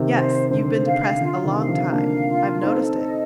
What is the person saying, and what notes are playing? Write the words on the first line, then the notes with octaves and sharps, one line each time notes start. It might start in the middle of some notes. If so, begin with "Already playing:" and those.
"Yes, you've been depressed a long time, I've noticed it."
Already playing: C3 D#3
C5
D3 C5
F5
D3 F4
C3 D#3
F5
D3 F3
A#3 D4 F5
F4
C4 D#4 A4
D#5